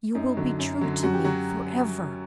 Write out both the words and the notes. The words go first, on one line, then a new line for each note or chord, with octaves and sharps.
"You will be true to me forever."
F#2 D#4
D3 F#3
F#2
D3 F#3
F#2 F#4
G4
F#3 F#4